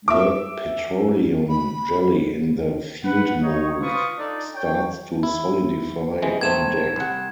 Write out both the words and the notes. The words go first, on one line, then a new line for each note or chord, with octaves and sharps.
The petroleum jelly in the field-mould starts to solidify on deck.
E5 D6
B5
B4 F#5
D#4 C#5
F4 B4 C5 C#6 D#6
D4 D#4 F4 A4 D5
C#5 G5
E4
C3 E3 G#3
A#1 A3 C4 G#6 E7
C2 F#5